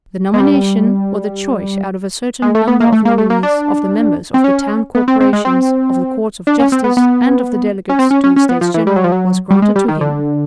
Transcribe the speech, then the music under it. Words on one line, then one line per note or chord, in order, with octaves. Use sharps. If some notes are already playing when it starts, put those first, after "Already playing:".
The nomination, or the choice out of a certain number of nominees, of the members of the Town-Corporations, of the Courts of Justice and of the delegates to the States-General, was granted to him.
G#3
G3
G#3
A3
B3
A#3
A3
A#3
A3
A#3
D4
C4
C#4
B3
C4
C4
G#3
C4
D4
C#4
C4
B3
B3
C#4
C4
C#4
C#4
C#4
B3
F3
E3
G3
F#3
F3
F#3
G3
G#3
G3
D#3
D3